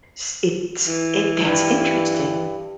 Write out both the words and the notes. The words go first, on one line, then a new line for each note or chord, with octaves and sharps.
S it's it that's interesting.
E3
G2